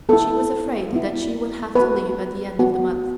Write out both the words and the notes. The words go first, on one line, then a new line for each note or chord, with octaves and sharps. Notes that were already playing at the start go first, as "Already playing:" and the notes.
But she was afraid that she would have to leave at the end of the month.
B3 E4 A4
B3 E4
B3 F#4 B4
B3 F#4